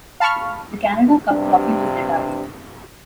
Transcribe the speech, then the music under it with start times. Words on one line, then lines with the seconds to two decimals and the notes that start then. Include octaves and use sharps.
The Canada Cup trophy was retired.
0.20 F5 A5 B5 C#6 F6
1.31 G2 C3 D4